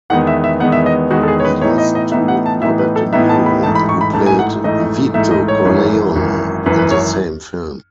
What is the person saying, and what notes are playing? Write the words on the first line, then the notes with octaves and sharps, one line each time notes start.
He lost to Robert De Niro, who played Vito Corleone in the same film.
E2 D#3 G#3 B3 F#5
E5
E5
E2 D#3 G#3 B3 F#5
E5
D#5
E2 D#3 G#3 B3 F#4
A4
G#4
C#5
B4
A2 E3 B3 D#4 C#5
D#5
D#5
A2 E3 B3 D#4 E5
F#5
A5
A2 E3 B3 D#4 E5
B4
A4
A2 E3 B3 D#4 E5
A5
B5
A1 G#2 E3 A3 A5
B5
C#6
B5
A1 G#2 E3 A3 A5
G#5
F#5
A1 G#2 E3 A3 D#5
A1 G#2 E3 A3 E5
D#5
C#5
G#1 F#2 E3
G#1 F#2 E3
G#1 F#2 E3 B4
B4
C#5